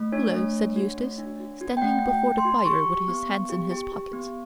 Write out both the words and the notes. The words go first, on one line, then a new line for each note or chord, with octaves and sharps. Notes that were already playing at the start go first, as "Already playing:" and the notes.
"Hullo!" said Eustace, standing before the fire with his hands in his pockets.
Already playing: A3
D4 C#5
A3
D4
F#4
A3
D4
F#4
F#4
G5
A3 F#5
A3
G5
F#4
C6
F#4
G4 C#6
G4
B3
B3
G4
G4
G4
B3